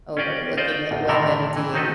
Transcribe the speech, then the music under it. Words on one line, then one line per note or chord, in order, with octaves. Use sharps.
over looking at WebMD.
C#4 F4 G4 D5 D#5
D#4 F4 C5 D5 D#5
A1 E2
A2 C3 D#3 E3 A4 A#4
E3
D#3 C4 D#4 F#4 A4 B4